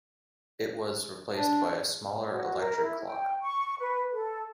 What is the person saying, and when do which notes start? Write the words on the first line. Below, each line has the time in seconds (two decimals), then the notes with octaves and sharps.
It was replaced by a smaller, electric clock.
1.35 D4
2.29 F#4
2.60 A#4
2.82 E4
3.06 G5
3.41 C#6
3.79 B4
4.12 A4